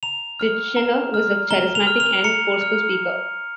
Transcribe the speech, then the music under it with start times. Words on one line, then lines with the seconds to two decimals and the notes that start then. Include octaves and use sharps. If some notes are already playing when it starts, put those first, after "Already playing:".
Titchener was a charismatic and forceful speaker.
0.03 A#5 F7
0.40 F6
0.76 A#5
1.14 F6
1.51 A#5 G7
1.75 F7
1.87 F6
2.00 F7
2.24 A#5 C#7
2.61 F6